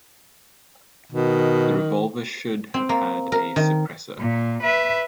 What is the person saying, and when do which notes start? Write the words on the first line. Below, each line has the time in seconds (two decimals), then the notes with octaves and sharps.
The revolver should have had a suppressor.
1.12 B2 D#3
2.74 C4
2.89 A#3
3.32 A#4
3.56 D#3
4.19 A#2
4.62 B4 E5